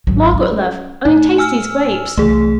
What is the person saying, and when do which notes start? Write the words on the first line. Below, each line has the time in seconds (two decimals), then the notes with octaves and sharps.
Margaret love, only taste these grapes!
0.07 G#1 F#3
0.34 C#4
1.05 A2 D#4
1.38 G#5 E6 F6
2.18 C2 E3 A3 G#4